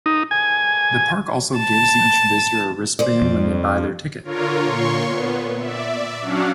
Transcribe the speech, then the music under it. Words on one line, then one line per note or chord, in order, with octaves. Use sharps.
The park also gives each visitor a wristband when they buy their ticket.
D#4
G#5
A5
C5 D5
F2
D3 F4 A#4 C#5
A#2 C#5 C6 C#6
A#2 B3
D5 E5
F#3 C#4 D4 F5 F#5